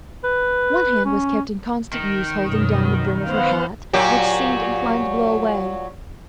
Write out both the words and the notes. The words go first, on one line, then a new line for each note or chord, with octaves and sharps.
One hand was kept in constant use holding down the brim of her hat which seemed inclined to blow away.
B4
C#4
D#3
F#2 B2
B3 C5 F5 F#5
A#2 F#3 G4